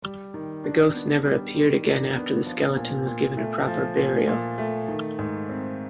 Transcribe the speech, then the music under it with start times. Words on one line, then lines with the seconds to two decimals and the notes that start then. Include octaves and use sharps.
The ghost never appeared again after the skeleton was given a proper burial.
0.04 G3
0.34 D#3
0.64 D4
0.94 B3
1.25 G3
1.54 D#3
1.85 D4
2.16 B3
2.46 F3
2.76 A#2
3.06 A#2
3.37 A3
3.67 F3
3.98 A#2
4.28 A#2
4.58 A3
4.88 D#3
5.19 G#2
5.49 C4